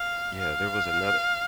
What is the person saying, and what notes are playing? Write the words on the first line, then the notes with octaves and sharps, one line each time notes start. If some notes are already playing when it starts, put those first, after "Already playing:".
yeah, there was another
Already playing: F5
F5